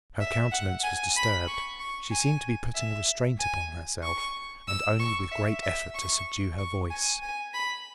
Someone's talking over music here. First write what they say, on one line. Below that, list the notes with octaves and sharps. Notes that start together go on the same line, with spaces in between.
Her countenance was disturbed, she seemed to be putting a restraint upon herself, and only with great effort to subdue her voice.
E5
F#5
G#5
B5
C#6
C#6
G#5
E5
G#5
C#6
E6
C#6
E5
E5
C#6
C#6
G#5
G#5
B5